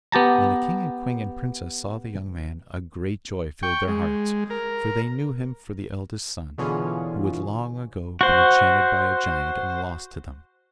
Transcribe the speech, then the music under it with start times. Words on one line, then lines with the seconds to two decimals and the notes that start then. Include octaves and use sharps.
And when the king and queen and princess saw the young man a great joy filled their hearts, for they knew him for the eldest son, who had long ago been enchanted by a giant and lost to them.
0.12 B3 G4 A5 A#5
3.63 G5 C#6
3.88 G#3
4.50 A#4
6.58 B2 D3 E3 C#4 F4 G#4
8.21 F#4 C5